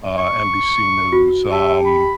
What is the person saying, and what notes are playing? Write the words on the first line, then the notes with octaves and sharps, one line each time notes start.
uh, NBC News, um,
C#6
F#4
G4 E5 A5
B5